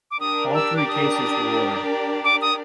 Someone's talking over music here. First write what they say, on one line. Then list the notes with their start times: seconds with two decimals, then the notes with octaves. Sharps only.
All three cases were women.
0.11 D6
0.20 D4 G4 A#4 D5 D#6
0.55 E6
0.77 D6
0.88 D#6
2.24 D6
2.42 D#6